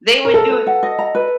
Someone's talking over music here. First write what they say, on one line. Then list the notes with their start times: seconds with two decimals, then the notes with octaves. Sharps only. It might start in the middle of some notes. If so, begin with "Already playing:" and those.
they would do it
0.25 A#4
0.34 A4 A#5
0.50 B4
0.67 F#5
0.83 D#5
0.99 A#5
1.15 B4